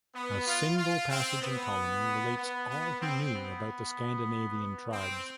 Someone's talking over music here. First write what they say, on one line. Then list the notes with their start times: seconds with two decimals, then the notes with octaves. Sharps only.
A single passage in Ptolemy relates all he knew about the Scandinavian tribes.
0.14 B3
0.47 F4
0.78 F4
1.10 C4
1.41 B3
2.37 B3
2.69 B3
3.01 C4
3.33 B3
4.92 C4